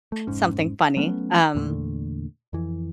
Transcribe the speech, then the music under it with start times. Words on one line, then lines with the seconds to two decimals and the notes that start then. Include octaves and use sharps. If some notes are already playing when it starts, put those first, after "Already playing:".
something funny, um,
0.12 A3
0.27 F1 G#2 C#4
0.97 F#3 A3 B3 C#4
1.55 E2 A#2 D3 A3
2.53 F2 E3